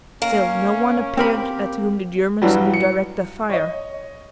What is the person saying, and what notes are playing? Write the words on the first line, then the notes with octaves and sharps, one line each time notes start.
Still no one appeared at whom the Germans could direct their fire.
A#3 C#4
C4 G4 A#4 B5
G2 E3 F#3 G3
C#7
C#5 D#5